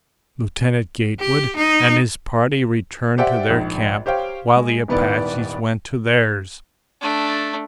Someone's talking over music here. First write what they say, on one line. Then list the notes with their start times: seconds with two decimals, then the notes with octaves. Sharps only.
Lieutenant Gatewood and his party returned to their camp while the Apaches went to theirs.
1.19 G4
1.56 D#4
3.18 G4 C5 D5 E5 F#5 G5
3.50 A#1 G#2
4.06 G4 C5 C#5 F5 G5
4.56 G#3
4.88 D#1 G#2 B3 E4 B4 D5
7.01 A3 D4